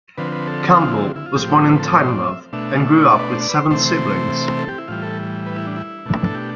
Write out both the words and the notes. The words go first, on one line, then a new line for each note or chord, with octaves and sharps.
Campbell was born in Tynemouth, and grew up with seven siblings.
D3 F3 C4 B4
B4
A4
F4
E4
E4
F4
A2 F3 C4 G4
B4
A4
C5
D5
E5
B2 A3 D4 E5
F5
E5
D5
B4
C5
D5
B4
C5
C3 E3 A3 C4 C5
C5
A4
G4
E4
A2 E3 G3 F4
A4
B4
E4
D4
E4
B2 A3 D4
A4
G4